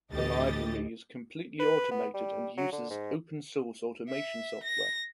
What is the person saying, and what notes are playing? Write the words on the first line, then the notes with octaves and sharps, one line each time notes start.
The library is completely automated and uses open source automation software.
D2 A2 E3 G4 D#5 A6
B4
B3
G3
F#3
D3
G#2
E5
A#6